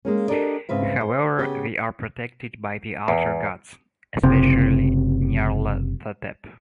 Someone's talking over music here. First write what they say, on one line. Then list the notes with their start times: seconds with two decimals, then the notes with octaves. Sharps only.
However, they are protected by the Outer Gods, especially Nyarlathotep.
0.05 G#3 A#3 C#4
0.28 D4 G4 A4 A#4 D5 D#5
0.69 G#2 C#3 C4 B4 E5
1.01 C5
1.39 C#3 B3 G4
3.08 E2
4.23 F#1 C3